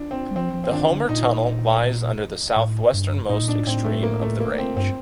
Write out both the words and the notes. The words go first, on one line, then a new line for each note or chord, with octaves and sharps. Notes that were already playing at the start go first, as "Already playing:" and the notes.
The Homer Tunnel lies under the southwesternmost extreme of the range.
Already playing: D4
C4
G3
F3 C4
F3
C4
D#3 D4
D3
A#2 D#4
A2
G2
A2 D#4
A#2
D4
A2
A2 C4
A3
A#3
A3
A#3
C4
G2 C4